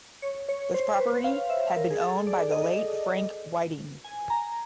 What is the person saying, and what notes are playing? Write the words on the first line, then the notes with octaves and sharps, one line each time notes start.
This property had been owned by the late Frank Whiting.
C#5
C#5
C5
B4
F5
E5
A#4
G#4
A4
D5
D#5
G#5
A#5